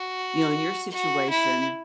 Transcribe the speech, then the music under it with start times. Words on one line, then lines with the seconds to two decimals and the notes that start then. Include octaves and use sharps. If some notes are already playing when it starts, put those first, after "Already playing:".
you know, in your situation,
Already playing: F#4
0.92 F#4
1.30 E4